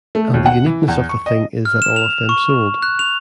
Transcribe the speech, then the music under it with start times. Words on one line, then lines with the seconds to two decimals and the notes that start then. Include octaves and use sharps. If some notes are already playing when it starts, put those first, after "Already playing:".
And the uniqueness of the thing is that all of them sold.
0.15 A3
0.34 D#2
0.46 F#5
0.66 E3
0.88 E2
1.09 C#6
1.26 D#5
1.65 F6
1.82 E7
1.96 F7
2.29 C#6
2.82 F#6
2.99 F7